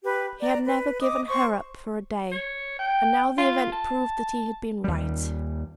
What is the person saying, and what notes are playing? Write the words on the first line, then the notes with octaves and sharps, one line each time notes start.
He had never given her up for a day, and now the event proved that he had been right.
G4 B4
D5 A#5
B4
D#5 D6 D#6
C5 C#6
C#5
G5
F4
A5
D#2 G3